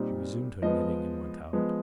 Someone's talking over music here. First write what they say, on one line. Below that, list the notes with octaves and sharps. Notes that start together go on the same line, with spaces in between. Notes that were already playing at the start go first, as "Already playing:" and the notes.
She resumed her knitting and went out.
Already playing: A#2 G3 C4 D#4
F3 G#3 B3 D#5
F3 G#3 B3